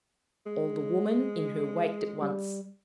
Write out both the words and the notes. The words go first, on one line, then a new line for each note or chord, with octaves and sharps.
All the woman in her waked at once.
G#3
G3